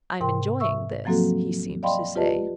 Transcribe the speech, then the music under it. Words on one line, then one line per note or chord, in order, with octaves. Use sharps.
"I'm enjoying this," he seemed to say.
G#2 C3 A#4 G5 C6
E5 C#6 E6
F3 F#3 A#3 C4 F#4 A4
D5 D#5 F5 G5 B5 C6
F4 G4 B4 D5 D#5 A5